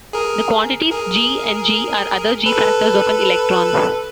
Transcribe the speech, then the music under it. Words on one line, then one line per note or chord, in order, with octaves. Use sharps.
The quantities "g" and "g" are other "g"-factors of an electron.
G#4 A#4
G#4 A#4
A4 B4